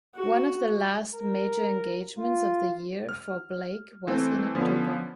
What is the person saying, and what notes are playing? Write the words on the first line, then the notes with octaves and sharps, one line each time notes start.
One of the last major engagements of the year for Blake was in October.
F#4
A#4
F4
F6
E3 A3 C4
D3 F3 B3 C#4